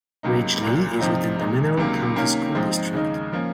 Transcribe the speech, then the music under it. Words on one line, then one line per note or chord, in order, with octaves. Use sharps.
Ridgeley is within the Mineral County School District.
C#2 C3 F#3 A#3 D#4
C2 A#2 F#3 A#3
C3 F3 C4 D#4
A#2 G#3 D#4
C#2 C3 D#3 F#3 A#3
C3 D#3 A#3 C#4
G#2 F3 G#3 C4 D#4
D#2 C#3 G#3 D#4
F3 A#3 C#4